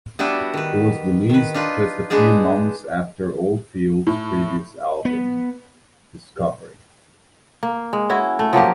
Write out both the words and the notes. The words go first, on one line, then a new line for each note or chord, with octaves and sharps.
It was released just a few months after Oldfield's previous album, "Discovery".
G3 B3 D4 E4 F#4 B4
D#3 B4
D#3 B4
D4 D#4 F4 B4
G#3 B3 D4 D#4 G#4
A2
B3
A#3
G#3
C#4 E4 F#4
A3
F3 F#3 A#3 G4